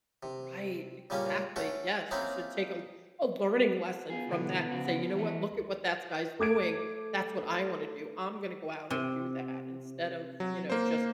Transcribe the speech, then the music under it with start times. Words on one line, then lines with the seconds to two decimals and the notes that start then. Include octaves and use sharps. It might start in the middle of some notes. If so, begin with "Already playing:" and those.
Right, exactly, yes. You should take a a learning lesson from that and say, "You know what? Look at what thats guy's doing. That's what I wanna do. I'm gonna go out and do that," instead of, you know, just
0.23 C3
1.10 A#2 C#3 G3 A#3 C#4
1.56 A3 C#4 F#4 A4
2.11 A#3 C4 C#4 D#4 E4
4.10 B3 F4 G#4
4.29 B2 D3 E3
4.71 C#3 F3 F#4
5.15 E3 A3
6.39 A3 D6 G#6 D7
8.90 C3
10.40 F#3
10.70 A#3 C5